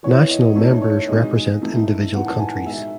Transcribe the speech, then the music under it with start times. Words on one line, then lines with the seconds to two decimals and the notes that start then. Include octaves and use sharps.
National Members represent individual countries.
0.03 E3 B3 E4 C#5
0.30 D#5
0.55 E3 A3 D#4 C#5
0.82 C#5
1.08 B2 G#3 D#4 D#5
1.61 E3 A3 D#4
2.13 A2 E3 B3 D#4 F#5
2.26 A5
2.39 G#5
2.52 F#5
2.66 B2 G#3 D#4 E5